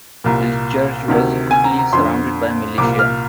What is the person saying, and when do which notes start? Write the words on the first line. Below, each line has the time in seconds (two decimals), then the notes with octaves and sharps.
The church was quickly surrounded by militia.
0.24 C2 A#2
1.08 D2 C3 D#3
1.51 G#5
1.64 A#5
1.78 A#5
1.93 F2 D3 C6
2.78 C2 A#2 D6
2.99 F6